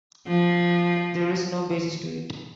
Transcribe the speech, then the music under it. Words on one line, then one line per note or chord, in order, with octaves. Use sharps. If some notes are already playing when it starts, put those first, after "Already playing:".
There is no basis to it.
F3